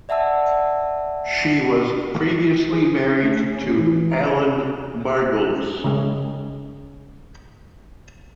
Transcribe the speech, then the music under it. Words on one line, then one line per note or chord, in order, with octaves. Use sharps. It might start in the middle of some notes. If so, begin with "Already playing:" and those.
She was previously married to Allan Margolis.
D5 E5 F#5 A5 E6
G#4
A3
C#4
E3
A#5
C#3 G#3